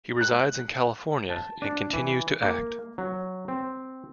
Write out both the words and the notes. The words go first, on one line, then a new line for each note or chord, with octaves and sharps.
He resides in California and continues to act.
F#6
A5
D4
E3
A#3
F#3
C4